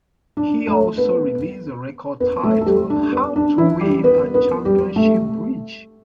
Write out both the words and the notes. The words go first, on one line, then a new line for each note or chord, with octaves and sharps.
He also released a record titled "How to Win at Championship Bridge".
D4
A3 A4
B3 B4
B3 B4
A3 A4
A4
G3 G4
D4
B3
D4
E3 E4
G3 G4
B3 B4
B3 B4
G3 G4
A3 A4